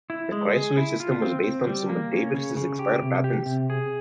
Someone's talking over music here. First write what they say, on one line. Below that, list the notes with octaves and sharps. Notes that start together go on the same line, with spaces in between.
The Chrysler system was based on some of Davis' expired patents.
E4
G#3
G#4
E4
F4
C4
C4
G3
A#3
C#4
C#3
C#3
G4
C3
G4
C3
G#4